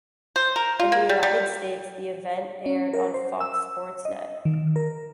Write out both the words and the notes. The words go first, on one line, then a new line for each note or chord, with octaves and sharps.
In the United States the event aired on Fox Sports Net.
C5
A#4
F4
A#3
G3
G3
C#4
A#4
C5
E6
D#5
D#3
A#4